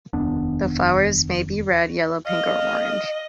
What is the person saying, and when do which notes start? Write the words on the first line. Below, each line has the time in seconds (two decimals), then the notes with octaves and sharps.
The flowers may be red, yellow, pink, or orange.
0.13 F1 D#2 B3 D4
2.26 D#5 F5